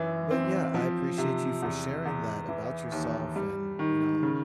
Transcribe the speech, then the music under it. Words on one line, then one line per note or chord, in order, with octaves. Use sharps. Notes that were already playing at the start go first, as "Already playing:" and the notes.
but yeah, I appreciate you for sharing that about yourself, and, you know,
Already playing: F#2 E3
C4
F3
C3
E2
E2
E3
D#2
G3
D#3
C#3